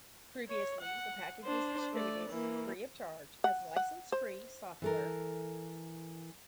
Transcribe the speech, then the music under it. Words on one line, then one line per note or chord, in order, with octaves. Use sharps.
Previously the package was distributed free of charge as license-free software.
C#5
F#5
D4 C5
A3 D5
E3 A#3
F#5
F#5
C5
E3 A4 A#4